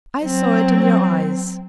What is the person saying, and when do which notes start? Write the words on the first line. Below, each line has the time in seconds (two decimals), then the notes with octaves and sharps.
I saw it in your eyes.
0.24 F#3 C4